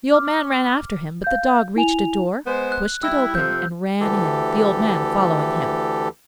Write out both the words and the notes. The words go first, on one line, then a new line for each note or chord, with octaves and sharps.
The old man ran after him, but the dog reached a door, pushed it open, and ran in, the old man following him.
D6 F6
F5 G6
E4 G#5 F7
G#3 B3 C5
F#6
G3 E4 E6
F2 C3 F3 G6
D2 E3 G4 A4